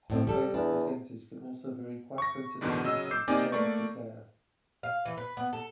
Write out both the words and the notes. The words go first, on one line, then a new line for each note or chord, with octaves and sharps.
On-base percentage can also vary quite considerably from player to player.
A2 C4
G3 A4
E2 D4
C#6 A#6
E2 G#2 B2 D3 D#3
C#3 F#3 D#5 E6
D6 E6 G6 C7
C3 A#3 D#4 D5 G#5 D6
A3 A#3 D5 C#6
F5
E3
B4
B3
A4